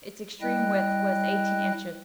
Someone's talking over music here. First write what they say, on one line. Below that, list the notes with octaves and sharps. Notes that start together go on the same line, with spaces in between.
Its extreme width was eighteen inches.
G3 E4 D#5 G5 F#6